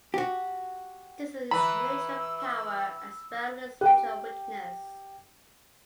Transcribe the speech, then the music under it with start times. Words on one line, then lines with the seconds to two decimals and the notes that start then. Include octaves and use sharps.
This is its major power as well as its major weakness.
0.14 F#4 G4
1.51 E3 B4 A#5 B5 E6
3.81 G4 B4 G5